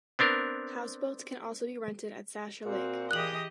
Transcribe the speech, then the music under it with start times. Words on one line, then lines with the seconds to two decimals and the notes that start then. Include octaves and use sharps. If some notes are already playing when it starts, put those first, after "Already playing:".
Houseboats can also be rented at Shasta Lake.
0.19 B3 C4 D4 A#4
2.65 A#2 C4 F#4
3.11 E3 G4 G#4 D#5 F#6 F#7